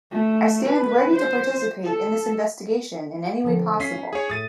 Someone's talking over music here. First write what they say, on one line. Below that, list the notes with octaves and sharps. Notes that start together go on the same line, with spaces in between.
I stand ready to participate in this investigation in any way possible.
A3
B4
C5
A4
D3 F3 G5
C#4 F5 G#5 B6 C7
D#4
G#4 C#5
A2 D#6 A6 D#7